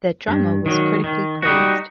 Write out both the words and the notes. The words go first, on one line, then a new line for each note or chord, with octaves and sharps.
The drama was critically praised.
G2
D#3 F#3
D#3
G3 D#4 F#4